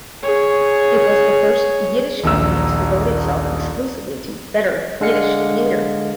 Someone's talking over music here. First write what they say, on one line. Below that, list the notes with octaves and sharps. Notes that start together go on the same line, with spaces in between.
It was the first Yiddish company to devote itself exclusively to "better" Yiddish theater.
G#4 C#5
D#1 A#1 A#5 E6
D3 G#3 F5 C#7